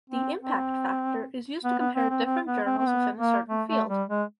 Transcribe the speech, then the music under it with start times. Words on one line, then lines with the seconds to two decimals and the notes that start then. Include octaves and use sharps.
The impact factor is used to compare different journals within a certain field.
0.10 C4
0.41 C4
1.64 B3
1.79 B3
1.95 C4
2.10 C4
2.25 C4
2.46 B3
2.66 C4
2.78 C4
2.87 B3
3.17 A#3
3.48 A3
3.69 A3
3.89 G3
4.09 G#3